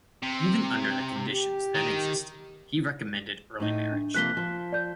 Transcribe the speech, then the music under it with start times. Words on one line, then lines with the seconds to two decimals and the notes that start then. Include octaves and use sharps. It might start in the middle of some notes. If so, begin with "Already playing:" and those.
Even under the conditions then existing, he recommended early marriage.
0.23 C3
1.30 G4
1.75 D#3
3.60 A2 D#4
3.92 D4
4.14 C3 F3 A#3 F#6 B6 G7
4.37 F3
4.72 D5 G6